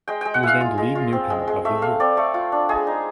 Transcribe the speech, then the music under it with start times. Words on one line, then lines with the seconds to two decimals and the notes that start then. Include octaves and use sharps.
He was named league newcomer of the year.
0.08 G#3 G5
0.21 G#3 G5
0.34 F#5
0.43 E4 F5
0.61 F4
0.78 G#3
0.95 F4
1.13 C4
1.30 G#3
1.47 G#3
1.65 A3 E5
1.82 A3 F5
2.00 C4 D5
2.17 A3
2.34 F4
2.52 D4
2.69 G#3 G#4
2.87 D#4